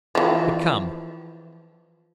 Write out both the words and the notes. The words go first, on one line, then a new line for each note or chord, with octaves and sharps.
But come!
E3 F3